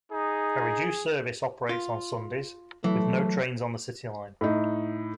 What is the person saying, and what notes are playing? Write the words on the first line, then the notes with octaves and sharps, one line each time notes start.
A reduced service operates on Sundays, with no trains on the City line.
D#4 G#4
F4
E3 F#3 A3
A2 D#4